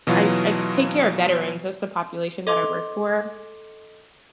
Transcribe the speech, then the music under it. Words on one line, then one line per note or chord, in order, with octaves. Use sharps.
I I take care of veterans, that's the population that I work for,
B2 E3 F#3 F4 F#4
A4 D#5 C6 D6